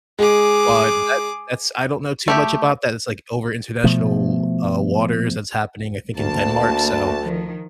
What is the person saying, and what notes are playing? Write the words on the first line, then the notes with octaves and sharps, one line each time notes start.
but that's that's I don't know too much about that. It's like over international, uh, waters that's happening, I think in Denmark, so.
G#3 G#4 D6
A3 G4 E5
B2 F3 A3
D2 A#3 A5
D#3 F3